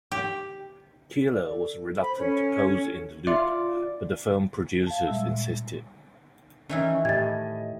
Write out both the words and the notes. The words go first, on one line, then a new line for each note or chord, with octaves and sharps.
Keeler was reluctant to pose in the nude, but the film producers insisted.
G4
D5
A4
C5 B5
C#4 A4
F4 D5 E5 C6
F5 A5
A#2 G3 G#3 E5 E6
D#3 E3 C#4 E4
A2 G4 D#5 G#6 A6